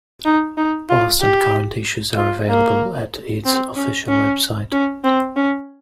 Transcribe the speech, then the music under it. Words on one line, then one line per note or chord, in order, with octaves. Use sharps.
Past and current issues are available at its official website.
D#4
D#4
F4
G4
F4
A#3
C4
C#4
C#4
C#4
C4
C#4